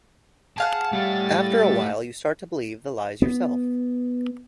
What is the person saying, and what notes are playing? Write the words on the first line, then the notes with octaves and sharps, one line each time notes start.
After a while, you start to believe the lies yourself.
G#4 F5 F#5 A5
G3 A3 E4 A6
B3